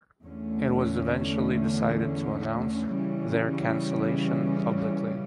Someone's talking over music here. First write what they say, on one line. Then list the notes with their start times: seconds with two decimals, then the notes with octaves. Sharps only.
It was eventually decided to announce their cancellation publicly.
0.24 E2 D3 A3 C#4
2.93 C#3 E3 G3 C#4